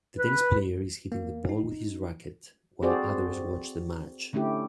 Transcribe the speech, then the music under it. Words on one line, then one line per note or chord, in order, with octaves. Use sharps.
The tennis player is hitting the ball with his racquet, while others watch the match.
B4
A#3
D#4
C4 F#4 G#4 A4 C5 D5
D3 A3 C#4 E4 G4